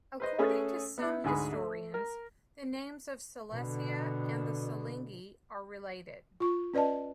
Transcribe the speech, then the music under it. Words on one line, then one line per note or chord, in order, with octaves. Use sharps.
According to some historians, the names of Silesia and the Silingi are related.
B4 C5 D#5
A3 C#4 G#4 A4 B4
B3 E4
D2 G#2 G#4 B5
A3
A#4
B2 D3
F4 C#6
C#4 B4 D5 D#5 A5